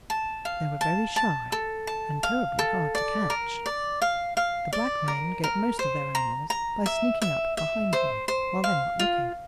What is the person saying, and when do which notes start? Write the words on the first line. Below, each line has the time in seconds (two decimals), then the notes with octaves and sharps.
They were very shy and terribly hard to catch. The black men get most of their animals by sneaking up behind them while they are not looking.
0.10 A5
0.45 F5
0.81 A5
1.16 A5
1.52 A4
1.87 A5
2.23 F5
2.59 A4
2.95 D5
3.30 A#4
3.66 D5
4.02 F5
4.37 F5
4.73 D5
5.08 A#4
5.44 A#4
5.79 C5
6.15 A#5
6.50 A#5
6.86 E5
7.22 E5
7.57 E5
7.93 C5
8.28 C5
8.64 F5
8.99 F4